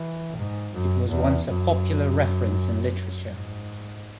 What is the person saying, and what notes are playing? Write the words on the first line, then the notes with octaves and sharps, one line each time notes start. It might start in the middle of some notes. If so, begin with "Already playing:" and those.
It was once a popular reference in literature.
Already playing: E3
G#2
F#2
E2
F#2
G#2